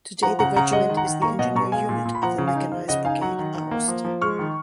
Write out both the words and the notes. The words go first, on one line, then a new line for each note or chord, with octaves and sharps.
Today the regiment is the engineer unit of the Mechanized Brigade "Aosta".
F3 F#5 A#5
C#3 F#5 A#5
C#3 F#5 A#5
G#3 D#5 F#5
D#3
F#5 A#5
D#3
A#3 A#5 C#6
B2 D#5 F#5
B2 A#5 C#6
G#3 F5 G#5
A#2
A#2
B5
F3 F#5 A#5
C#3
F5 G#5
D#4
F3 F5
C#3 D#5 F#5
D#4 F5 G#5
F#3 F#5 A#5
D#3
D#3
A#3
F3
F3
G#3 C#6 F6
D#3